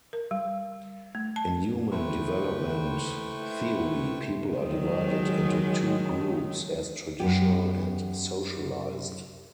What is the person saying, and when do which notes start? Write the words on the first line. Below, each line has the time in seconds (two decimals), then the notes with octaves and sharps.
In human development theory, people are divided into two groups as traditional and socialized.
0.13 A#4
0.31 G3
1.15 A3
1.36 A5
1.92 A3 E4 B4 C5 G5 C#6
4.57 D#3 F#3 G#3
7.20 F#2 B3 G4